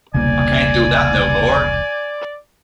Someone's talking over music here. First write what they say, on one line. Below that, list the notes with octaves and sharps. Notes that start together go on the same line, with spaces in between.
I can't do that no more.
E1 C2 C#3 A#3 D5 G#5